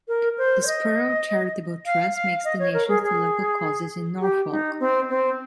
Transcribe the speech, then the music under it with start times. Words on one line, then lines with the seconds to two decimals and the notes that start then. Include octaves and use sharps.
The Spurrell Charitable Trust makes donations to local causes in Norfolk.
0.08 A#4
0.38 C5
0.63 C#5
0.67 D#5
1.86 F5
2.14 F5
2.45 D#5
2.59 C#5
2.74 A#4
2.88 G#4
3.03 G#4
4.20 G4
4.50 D#4
4.80 C4
5.09 C4